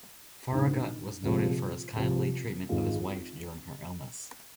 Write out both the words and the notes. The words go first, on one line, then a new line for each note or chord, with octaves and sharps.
Farragut was noted for his kindly treatment of his wife during her illness.
A#1 G#2 D#3
C2 A#2 F3 G#3 C4
C2 C3 F3
G#1 G#2 G#3 F4